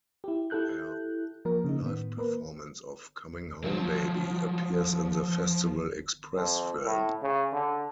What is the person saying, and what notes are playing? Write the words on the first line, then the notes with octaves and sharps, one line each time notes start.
Their live performance of "Comin' Home Baby" appears in the "Festival Express" film.
E4 G4
E4 G4 A4 F#6 G6
F3 A#3 A#4
C#3 A#3 D#4
A2 D#3 B3
A#3 A#4 B4
F3 F#3
F2
A2
C#3
D3